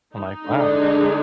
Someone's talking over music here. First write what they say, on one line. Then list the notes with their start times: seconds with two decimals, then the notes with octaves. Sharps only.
I'm, like, "Wow.
0.15 D#4
0.47 D3 G#3 D4